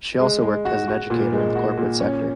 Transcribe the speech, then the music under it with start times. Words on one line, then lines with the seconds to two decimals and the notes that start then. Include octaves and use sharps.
She also worked as an educator in the corporate sector.
0.19 G#3
0.43 G#3
0.65 F#4
0.88 F#4
1.10 A#2
1.33 G#3
1.55 F#4
1.78 A#2
2.00 C#4